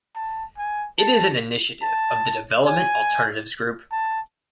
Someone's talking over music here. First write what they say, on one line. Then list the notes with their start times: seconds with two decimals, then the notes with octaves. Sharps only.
It is an initiative of the Development Alternatives Group.
0.15 A5
0.58 G#5
0.99 A5
1.83 A5
2.66 G#5
3.92 A5